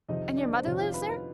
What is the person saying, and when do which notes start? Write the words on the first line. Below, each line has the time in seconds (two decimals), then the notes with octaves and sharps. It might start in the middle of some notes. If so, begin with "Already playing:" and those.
And your mother lives there?
0.09 F2 C3 D#3 D#4 D#5
0.37 D4 D5
0.56 C5
0.66 F2 C3 D#3 C#5
0.79 F4 F5
0.94 B4 B5
1.08 B4 B5